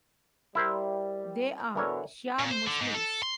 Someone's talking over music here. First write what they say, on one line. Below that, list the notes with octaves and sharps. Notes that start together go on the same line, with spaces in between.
They are Shia Muslims.
G3 E4 A#4 C5
B2 D3 E3 A#4 C#5
A#2
C5
D3
G#2
A4
C6